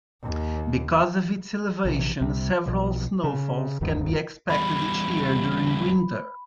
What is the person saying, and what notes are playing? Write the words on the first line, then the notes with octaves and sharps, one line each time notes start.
Because of its elevation, several snowfalls can be expected each year during winter.
D#2
A#1 C3 E3
C2 C3 G3
B1 B2 F3
C#3
E1 D2 G2 D#3
E2 G3 B5